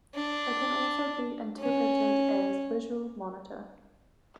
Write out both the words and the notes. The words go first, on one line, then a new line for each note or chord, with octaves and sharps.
It can also be interpreted as "visual monitor".
D4
C#4